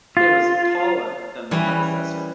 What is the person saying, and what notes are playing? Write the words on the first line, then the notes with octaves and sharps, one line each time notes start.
It was taller than the predecessor.
F4
E3 G3 C#4 B4